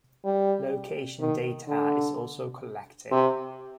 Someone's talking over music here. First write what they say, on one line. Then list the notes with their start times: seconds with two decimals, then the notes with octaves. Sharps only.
Location data is also collected.
0.25 G3
1.20 D#3
1.68 D3
3.11 C3